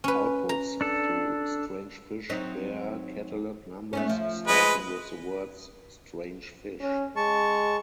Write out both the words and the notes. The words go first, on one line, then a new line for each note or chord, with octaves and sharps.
Outputs through Strange Fish bare catalog numbers starting with the words "strange fish".
C#4 B4
A#5
D4 A4
F#3 C4 D#4
A3 B3 C#4
F3
G#3 B4
C#4
G#3 A5 C#6